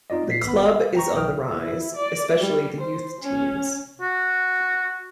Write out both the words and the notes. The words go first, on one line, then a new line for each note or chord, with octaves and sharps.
The club is on the rise, especially the youth teams.
C4 D#4 F4 D5 D#5
A#2 B6 C7
G#1 B3 B5
F5
G5 A#5 C#6
B1 G5 D#6 F6
E4
D5
G3
C5
C#4
F#4